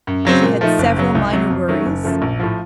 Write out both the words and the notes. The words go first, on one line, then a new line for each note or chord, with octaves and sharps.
She had several minor worries.
F#2
C#3 F#3 C4
A#2
F3 A3 D#4
F#1
F#2 C#3 F#3
C2
C3 F#3
F2
D#3 F#3 A3 C#4
F#1
F#2 F3 A3
A#1
A2 F3